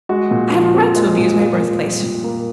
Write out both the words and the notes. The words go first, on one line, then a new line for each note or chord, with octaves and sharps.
I have a right to abuse my birth-place.
G#3 F#4
A#2
F3
C4
G#3
A#2
A#3 F4
A#2
G3
A#2
A#3